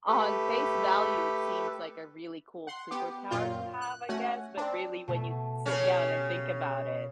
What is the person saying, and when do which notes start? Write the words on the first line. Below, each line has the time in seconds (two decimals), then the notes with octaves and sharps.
on face value, it seems like a really cool superpower to have, I guess, but really, when you sit down and think about it,
0.08 A3 G4 A4 B4
2.67 F#5 C6
2.91 B3 G4
3.30 F#2 A#2 F4 G5
3.81 F#6
4.09 A3 C#4 F#4 F#5 G#5
4.57 C4 D4
5.08 B2 A3
5.66 C#3 C#4
5.83 G4